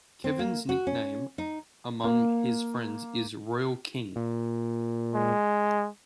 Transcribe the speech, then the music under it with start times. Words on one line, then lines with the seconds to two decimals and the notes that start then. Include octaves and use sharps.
Kevin's nickname among his friends is "King Royal".
0.24 C4
0.39 A#3
0.69 F#4
0.87 C#4
1.38 D#4
2.04 A#3
4.16 A#2
5.15 G#3